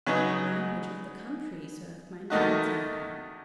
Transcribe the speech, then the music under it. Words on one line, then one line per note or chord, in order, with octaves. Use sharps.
"The language of the country served my needs, madam."
C#3 F#3 B3 D#4 G#4
E2 D#3 A3 D#4 F#4